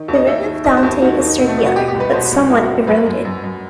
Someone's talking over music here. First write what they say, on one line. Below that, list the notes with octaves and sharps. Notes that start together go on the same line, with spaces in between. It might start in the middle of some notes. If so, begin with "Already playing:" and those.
The rim of Dante is circular but somewhat eroded.
Already playing: D#3
D#2
D#5
D#2 E5
D#3
D#3 D#5
C5
D#2
D#3 F#4
D#2
D#4
B2 C4
A3
B2 B3
F#4
B2 G4
G4
C2
B4
B2 C5
C2
C2 E4
F#4
C2
F#2 B4
F#2
F#2
F#2